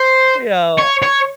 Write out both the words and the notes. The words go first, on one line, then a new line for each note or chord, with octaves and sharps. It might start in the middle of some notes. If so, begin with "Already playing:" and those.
you know,
Already playing: C5
C#5
C#5